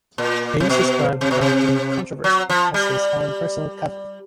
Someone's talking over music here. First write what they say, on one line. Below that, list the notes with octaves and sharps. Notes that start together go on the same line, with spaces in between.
Eames described the Drumcree controversy as his "own personal Calvary".
A#2
C3
B2
C3
B2
C3
F#3
F3
G3